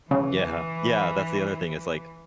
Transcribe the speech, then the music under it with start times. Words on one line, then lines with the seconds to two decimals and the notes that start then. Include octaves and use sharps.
Yeah. Yeah, that's the other thing, it's like,
0.11 C#3 E3